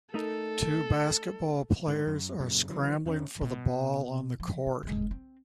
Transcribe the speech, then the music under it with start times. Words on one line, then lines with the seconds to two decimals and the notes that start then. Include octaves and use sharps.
Two basketball players are scrambling for the ball on the court.
0.14 A3 D#4 A4 A#4
1.88 G#2 D#3
2.07 F#2
2.40 F#2 A#2 C#3
2.68 D3 E3 F#3
3.05 E2 D#3 C4 C#4
3.41 B2
4.40 F3
4.67 C3
4.83 F1 G#3
5.11 C4